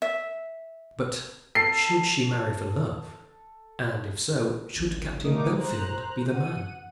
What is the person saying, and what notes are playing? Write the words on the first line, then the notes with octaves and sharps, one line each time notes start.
But should she marry for love; and if so, should Captain Bellfield be the man?
E5
A4 C7
G#1 C#2
D3 A3 D#4 A#4 D6 D#6
C5 A#5 F#6
F#5 D#7